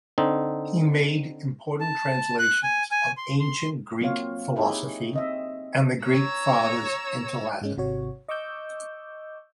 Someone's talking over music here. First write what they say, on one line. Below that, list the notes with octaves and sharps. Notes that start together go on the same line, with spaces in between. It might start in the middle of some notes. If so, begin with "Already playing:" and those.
He made important translations of ancient Greek philosophy and the Greek Fathers into Latin.
D3 C4 D#4
A5
F#6
G#5
G#5
C6
C6
F#3 A#3 C4 F4 C#5 F5
D#4 E4 G4 G#4 C#5
C4 D#5 E5
C#5 A#5 E6
G#2 G#3 C#4
G#1 C3 F#4 C#5
D#5 C#6 D6 E6 G6